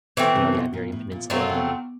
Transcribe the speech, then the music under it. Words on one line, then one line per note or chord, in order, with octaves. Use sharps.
you know, the Iberian Peninsula and
B2 E3 A3 C4
C3
B2
A#2
A2
A#2
B2 F#3 A3 C4 F4
C3